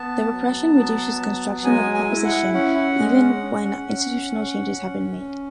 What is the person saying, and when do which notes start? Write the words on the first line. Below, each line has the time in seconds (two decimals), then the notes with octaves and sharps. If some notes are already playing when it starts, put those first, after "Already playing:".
The repression reduces constructive opposition even when institutional changes have been made.
Already playing: B3 A5
0.31 F#3
0.75 B3
1.20 F#3
1.64 G#3 G#5
1.94 G#5
2.09 E4
2.24 F#5
2.54 C#4 F#5
2.99 G#3
3.43 C#4
3.89 C#4
4.33 C#4
4.78 C#4